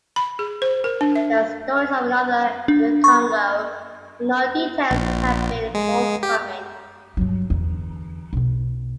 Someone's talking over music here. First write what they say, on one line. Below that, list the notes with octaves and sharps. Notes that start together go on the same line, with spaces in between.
There are stories of another in the Congo, but no details have been forthcoming.
B5
G#4
C5
A#4
D4
E5
D4
C#6
A#1
G#3
G4
G2 F#3
E2 D3
B1 B3